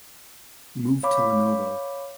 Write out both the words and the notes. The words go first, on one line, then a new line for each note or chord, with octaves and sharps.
Moved to Lenovo.
C#5 F5 B5 D6